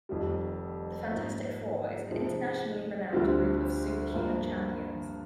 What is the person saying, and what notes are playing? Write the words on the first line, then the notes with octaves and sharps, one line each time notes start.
The Fantastic Four is an internationally renowned group of superhuman champions.
F1 F2 D#3 G3
G#2 F3 A#3 D#4
C3 F3 G#3 D#4
D2 D3 G3 C4 F4
G2 F3 A#3